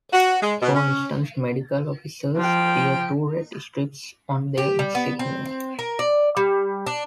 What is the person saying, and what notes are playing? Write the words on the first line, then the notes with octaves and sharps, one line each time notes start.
For instance, medical officers bear two red stripes on their insignia.
F#4
G#3
B2
C#4
F3 G5
G4
G3
B3
C4
A#4
D5
G3
D4